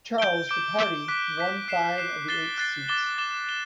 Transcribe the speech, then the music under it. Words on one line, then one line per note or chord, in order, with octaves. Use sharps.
Charles, the party won five of the eight seats.
G6 D7 G7
D6 G6 D7 G7
D6 G6 D7 G7
D6 F#6 B6
D6 F#6 B6
F#6 C7 E7
F#6 C7 E7
F#6 A6 C7 G7
F#6 A6 C7 G7
D6 A6 E7 G7
D6 A6 E7 G7
E7 G7